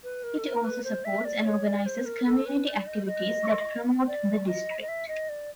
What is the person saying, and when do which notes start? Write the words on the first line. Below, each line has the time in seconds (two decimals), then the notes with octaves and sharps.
It also supports and organizes community activities that promote the District.
0.04 B4
0.23 A#4
0.38 A4
0.44 A#4
0.64 B4
0.84 C5
1.05 E5
1.25 D5
1.45 C#5
1.65 D5
1.86 C5
2.06 A#4
2.26 A4
2.46 B4
2.66 D5
2.87 D#5
3.06 D#5
4.08 D5
4.47 D#5
4.81 D#5
4.88 E5
5.08 D#5
5.29 D5